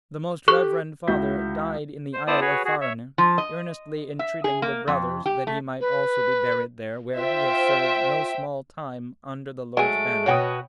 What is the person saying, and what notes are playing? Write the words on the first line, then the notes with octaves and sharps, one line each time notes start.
The most reverend father died in the isle of Farne, earnestly entreating the brothers that he might also be buried there, where he had served no small time under the Lord's banner.
G4 A4 C#6 F#6
C#2 E4 F#4 G6 B6
C5
B3 E4 C5 D5 A5 D#6
F#4 G#4 B4 C#5
F#4 G#4
C#5 E5
F3
D#5
E5
G#4
A#3
F2
G4
A3
B4
F4 C5 E5 G5
F#3 G#3 A3 G#5 D7
B2 F#4 B4 C#5 G5 D#6